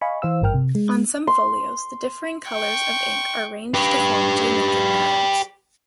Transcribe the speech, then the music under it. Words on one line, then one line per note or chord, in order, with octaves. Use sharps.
On some folios, the differing colors of ink are arranged to form geometric patterns.
D#5 F5 G#5 B5 C#6
E3 C5 F5 E6
G#1 G2 A#4 G5 F6
C3
G#3
C6
G5 C#6
G4 B4